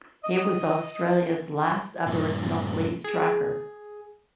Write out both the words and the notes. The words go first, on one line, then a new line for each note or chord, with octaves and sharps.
He was Australia's last Aboriginal police tracker.
D#5
G2 A#2
G#4